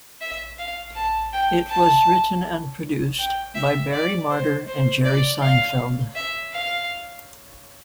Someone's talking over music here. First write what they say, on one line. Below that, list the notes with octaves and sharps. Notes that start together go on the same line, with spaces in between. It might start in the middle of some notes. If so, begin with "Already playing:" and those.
It was written and produced by Barry Marder and Jerry Seinfeld.
E5
F5
A5
G5
A5
G5
E5
D5
C5
C5
D5
F5
E5
F5